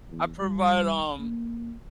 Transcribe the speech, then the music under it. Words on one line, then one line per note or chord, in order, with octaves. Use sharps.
I provide, um,
E2
G3
A#3